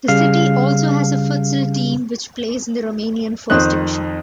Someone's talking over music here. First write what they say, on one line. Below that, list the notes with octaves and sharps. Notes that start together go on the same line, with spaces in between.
The city also has a futsal team which plays in the Romanian First Division.
C#3 G3 F5 F6 C7
F2 D#3 C5 D#6 F#6